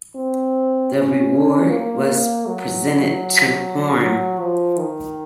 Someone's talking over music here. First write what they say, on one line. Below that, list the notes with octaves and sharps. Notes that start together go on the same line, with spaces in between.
The award was presented to Horne.
C4
C#4
A#3
F#3
F#3
F3
D#3